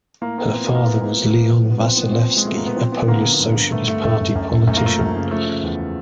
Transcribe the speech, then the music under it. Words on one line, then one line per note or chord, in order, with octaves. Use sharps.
Her father was Leon Wasilewski, a Polish Socialist Party politician.
A2 A#3
A2 B3
F3 C4
B3
A2
A#3
A2 B3
A2 B3
F3
F3
F3
F3
B3
F3 C4
A#2 B3
A#2 C4
A#2
G#3
A#2 A3
A#2 A#3
B3
F3 C4
F3 B3
D3 A#3
D3 B3
A#3
G2
G2
G2 A3
G2 A3
F#2 A3
F#2
F#2
F#2
F#2 A3
A#3
F3 A3
F#2
C#3
F3 A3
C#3
E2